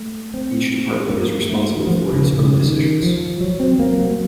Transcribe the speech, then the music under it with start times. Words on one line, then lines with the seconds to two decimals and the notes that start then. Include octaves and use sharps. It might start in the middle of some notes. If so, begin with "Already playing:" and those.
Each department is responsible for its own decisions.
Already playing: A3
0.34 C4
1.10 A#3
1.49 A3
1.76 D#3
1.87 F3
2.13 C#3
2.33 C3
2.39 C#3
2.64 D#3
3.03 F3
3.41 F#3
3.60 C4
3.79 A#3
3.97 F#3